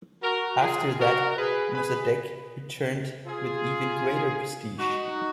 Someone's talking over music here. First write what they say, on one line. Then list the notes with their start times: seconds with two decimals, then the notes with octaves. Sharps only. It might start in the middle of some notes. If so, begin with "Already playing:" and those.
After that, Mossadegh returned with even greater prestige.
0.23 F#4 A#4
0.60 F4 G#4
0.99 F#4 A#4
1.37 G#4 B4
1.75 G#4 B4
3.27 F4 G#4
4.79 D#4 F#4